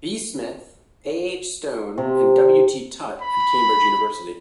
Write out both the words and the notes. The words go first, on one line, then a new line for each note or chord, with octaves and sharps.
B. Smith, A. H. Stone and W. T. Tutte at Cambridge University.
C3
B5